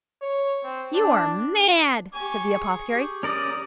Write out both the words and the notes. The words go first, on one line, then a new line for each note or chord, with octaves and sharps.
'You are mad!' said the apothecary.
C#5
C4
D4
G4 G#5 C#6
G#4
G4
C#4 A#4 D5 D#6